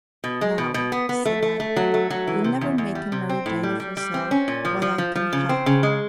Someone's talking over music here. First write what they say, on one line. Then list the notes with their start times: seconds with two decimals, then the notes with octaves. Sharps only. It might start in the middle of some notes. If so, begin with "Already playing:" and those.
'Now,' said I, 'you'll never make a Mary Jane of yourself while I can help it.
0.24 B2
0.41 G#3
0.58 B2
0.74 B2
0.92 B3
1.09 B3
1.26 A3
1.43 A3
1.60 A3
1.76 F#3
1.94 A3
2.10 F#3
2.27 E3
2.44 C3
2.61 E2
2.78 E2
2.95 G3
3.12 C3
3.29 C4
3.46 A2
3.63 G3
3.80 G3
3.97 G3
4.14 C4
4.31 C#4
4.48 A#2
4.65 F3
4.82 F3
4.98 F3
5.16 F3
5.33 C#3
5.49 C4
5.66 C#3
5.83 G#3